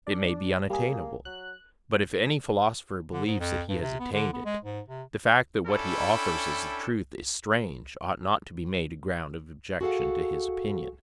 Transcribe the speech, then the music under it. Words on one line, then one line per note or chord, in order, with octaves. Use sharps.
It may be unattainable, but if any philosopher believes that he has attained it, the fact that what he offers as the truth is strange ought not to be made a ground of objection to his opinion.
D4 D5
G3 A#3 G#4
F#3 F#6
D3
G#2
F2
G2
C3
B3
D3
B3
G#3
G#2
C3
C#4 D4 E4 A4 G5 B5
F#4 G#4 A4 F5 F#5